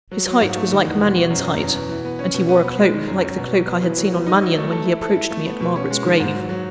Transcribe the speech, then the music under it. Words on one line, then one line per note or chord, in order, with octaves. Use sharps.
His height was like Mannion's height; and he wore a cloak like the cloak I had seen on Mannion, when he approached me at Margaret's grave.
F#3
F#3
G#2
A3
D#3
E2
B2
B2
F#2
F#2
E2
B2
E3
B3
C#4
B2
B3
B3
G#3
D#3
F#2
F#2
B2
F#3
B3
E3
F#3
B3
D#4
F#3
A3
A4
E4
A4
E4
A3
B3
B2
C#4
G#3
D#3
G#2
F#3
F#3